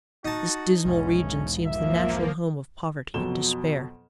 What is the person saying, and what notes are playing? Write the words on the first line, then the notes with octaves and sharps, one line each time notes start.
This dismal region seems the natural home of poverty and despair.
D#4 F#4 A5
B1 E2 G#2 C#4
F3 A#3 E5
F2 B2 F#3 E7 G7